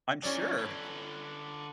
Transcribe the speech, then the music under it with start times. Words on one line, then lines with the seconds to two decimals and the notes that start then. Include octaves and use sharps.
I'm sure!
0.24 E3 F#3 C#4 D5
0.59 D3 B4